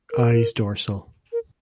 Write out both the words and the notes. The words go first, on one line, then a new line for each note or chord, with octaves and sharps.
Eyes dorsal.
A#4
A#4